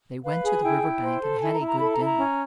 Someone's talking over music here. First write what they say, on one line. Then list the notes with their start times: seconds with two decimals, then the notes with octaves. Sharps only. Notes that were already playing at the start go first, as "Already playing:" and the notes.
They went to the river bank and had a good dinner.
0.25 B4 F5
0.44 G#4
0.63 E4 G5
0.83 E4
1.01 C5
1.21 A4
1.40 E4 G#5
1.53 A#5
1.60 E4
1.67 A#5
1.79 A4 B5
1.93 A#5
1.99 E4
2.05 A#5
2.17 C#4